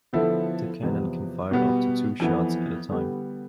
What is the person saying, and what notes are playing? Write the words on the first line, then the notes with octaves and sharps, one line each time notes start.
The cannon can fire up to two shots at a time.
D3 F3 B3 E4 A4
E2 C3 F3 B3
B2 G3 B3
F2 E3 B3
D3 G3 B3